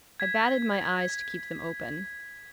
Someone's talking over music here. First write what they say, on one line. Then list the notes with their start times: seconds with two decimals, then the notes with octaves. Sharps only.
I batted my eyes to keep them open.
0.20 G#6 B6